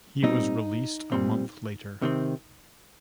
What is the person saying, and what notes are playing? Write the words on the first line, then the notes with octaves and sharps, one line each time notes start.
He was released a month later.
A#2 G3 C4 D#4
A#2 G3 C4
C3 D#3 C4